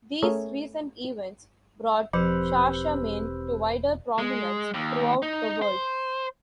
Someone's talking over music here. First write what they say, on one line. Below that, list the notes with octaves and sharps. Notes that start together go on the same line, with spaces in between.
These recent events brought Shashamane to wider prominence throughout the world.
A3 C#4 G#4 A#4 C#5 E5
E1 F3 C4 G4 B4 C5 B5 E6
G#3
D#2
D#4
C5